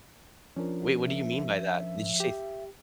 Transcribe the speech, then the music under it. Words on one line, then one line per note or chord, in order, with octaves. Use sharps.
Wait, what do you mean by that? Did you say
F3 C#4 D4 F4 A#4
E5
G4